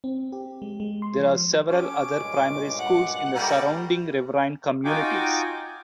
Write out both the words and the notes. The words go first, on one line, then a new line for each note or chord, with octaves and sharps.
There are several other primary schools in the surrounding riverine communities.
C4
G4
G#3
G#3
C6
F3
C#4 G4 A4 C#5 D6
G2 A#2 G#3
F#5
G3 A3 A#3 G4
D#4 F4 F#4 G5 G#5 D6